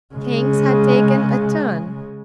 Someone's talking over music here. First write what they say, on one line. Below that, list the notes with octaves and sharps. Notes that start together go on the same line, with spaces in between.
Things had taken a turn.
C#3 G#3